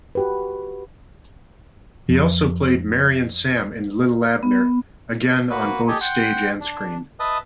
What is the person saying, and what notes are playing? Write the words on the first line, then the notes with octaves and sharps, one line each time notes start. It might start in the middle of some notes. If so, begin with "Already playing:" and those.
He also played Marryin' Sam in "Li'l Abner", again on both stage and screen.
F#4 G4 B4
F2 F3
B3
A#3 F#4 B4
G4 A4 D#5 G#5
F#5 G5 C6
D4
B4 D#5 E5 A5 D#6